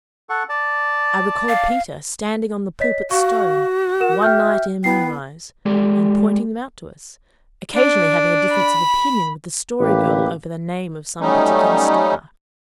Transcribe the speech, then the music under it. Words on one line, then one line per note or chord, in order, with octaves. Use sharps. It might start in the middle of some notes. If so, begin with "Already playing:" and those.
I recall Peter standing on the Pulpit Stone, one night ere moonrise, and pointing them out to us, occasionally having a difference of opinion with the Story Girl over the name of some particular star.
A4 F#5 C#6
D5 A5
F5
C#5 D#5 B6
F#4 F5 C#6
A#4 F#5 E7
E5 G5 F6 G6
B3 E4 G5 C7
G#3 G4 A4 D5
D4
B5
A1 A#3 G4 B4
F#3 G3 A3 C#4 D#4